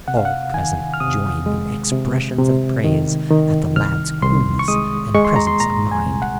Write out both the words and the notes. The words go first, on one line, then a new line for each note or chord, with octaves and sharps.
All present joined in expressions of praise at the lad's coolness and presence of mind.
C3 F#5
F5
F#5
D#3 G#5
F6
C3 D#6
G#3
C3
C3
D#3
D#3
C2 F6
C2 C6
C#6
G#3 D#6
G#3 C#6
C6
A#5
C6
A#2 A#5
G#5
C2
F#5